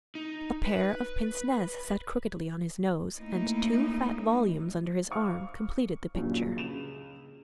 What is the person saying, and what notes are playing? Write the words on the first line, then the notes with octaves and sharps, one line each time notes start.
A pair of pince-nez sat crookedly on his nose and two fat volumes under his arm completed the picture.
D#4
B4
A3 A#3 C#4 D#4 E4
C5 F5 C#6 F6
G2 A#2 C#3 F#3 C#4 F4
C#2 E7 F7